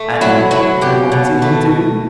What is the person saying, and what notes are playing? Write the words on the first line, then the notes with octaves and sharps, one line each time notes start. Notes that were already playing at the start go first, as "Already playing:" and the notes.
"And what did he do?"
Already playing: A3
F#3 E4
F#3 E4
B2 G4
B2
A3